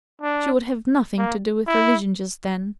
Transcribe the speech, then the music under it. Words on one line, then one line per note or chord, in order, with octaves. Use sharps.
She would have nothing to do with religion just then.
D4
A#3
E4